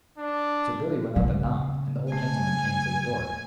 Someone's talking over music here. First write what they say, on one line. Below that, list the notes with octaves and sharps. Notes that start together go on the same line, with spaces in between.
So Billy went up and knocked, and the old gentleman came to the door.
D4
C#3
A3 G#5